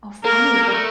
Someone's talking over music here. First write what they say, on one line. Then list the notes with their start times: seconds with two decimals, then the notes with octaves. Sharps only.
Oh, funny.
0.24 A#3 A#4
0.68 G3
0.74 A3